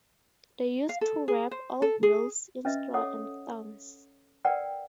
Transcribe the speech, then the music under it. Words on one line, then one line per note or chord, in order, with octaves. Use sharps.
They used to wrap old wheels in straw and thorns.
F5
A4
G#4
C5
A4
G#4
C#4 B4 D#5 E5
A4 C#5 F#5 D#6
A#4 B4 D5 F#5 G5